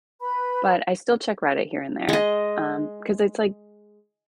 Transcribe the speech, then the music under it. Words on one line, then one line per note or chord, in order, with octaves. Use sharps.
but, I still check Reddit here and there, um, 'cause it's, like,
B4 B5
G#3 D#5